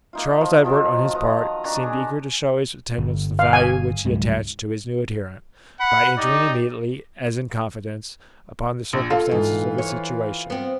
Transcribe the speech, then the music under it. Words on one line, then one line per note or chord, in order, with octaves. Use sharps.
Charles Edward, on his part, seemed eager to show his attendants the value which he attached to his new adherent, by entering immediately, as in confidence, upon the circumstances of his situation.
A#3 D#4 F4
F3
D#3 F3 F#3
B4 D#5 A#5
D#3 D4 A#5 C#6
G#4
G1
F5
G#5
C#2 G#2 F#3
F#5 B5
D#4 G4 D5
A#1
F4 A4
G#2 E3
C#5
B3 C4